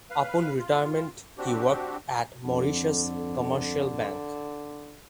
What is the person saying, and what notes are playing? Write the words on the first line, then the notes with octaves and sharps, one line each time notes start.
Upon retirement he worked at Mauritius Commercial Bank.
B4 F5
F4
C4 D4 F#4 G4
F2 D3